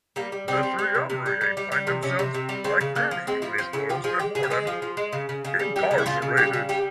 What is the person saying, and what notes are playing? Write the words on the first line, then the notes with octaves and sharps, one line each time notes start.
The Triumvirate find themselves-like many English Royals before them-incarcerated.
G3 A#3
G3
G3 C4
G3
G3
C3
C3
G3
G3
G3
G3
C3
C3 C#4
C3
C3
G3
C#3 C4
C#3
C#3 A#3
F3
G#3 C4
F3 E4
F3 C4
C#3 E4
F3 G4
F3 G#4
G#3 G4
C#3 G#4
G4
G#3 G#4
F3
F3
G#3
C#3
C#3
C#3
G3
G3 G4
C#3
E4
C#3 F4
C#3
G3 G4
C#3
G3 G4